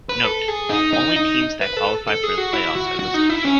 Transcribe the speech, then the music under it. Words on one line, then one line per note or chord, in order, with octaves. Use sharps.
Note: Only teams that qualified for the playoffs are listed here.
B4
A4
G#4
D#4
D#4
D#4
B4
A4
A4
G#4
F#4
E4
F#4
F#4
D#4
E4
C#4